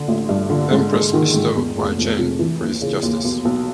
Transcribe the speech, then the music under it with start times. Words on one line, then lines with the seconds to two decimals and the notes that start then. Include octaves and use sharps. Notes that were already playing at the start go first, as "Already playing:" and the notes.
Empress bestowed Wei Zheng for his justice.
Already playing: D3
0.08 A1
0.29 G2
0.50 D3
0.71 G#2
0.93 G#2
1.13 D#3
1.34 G#2
1.56 E2
1.77 F1
1.98 F1
2.19 C3
2.39 E3
2.61 D#2
2.82 C#3
3.03 D#2
3.25 B1
3.45 B1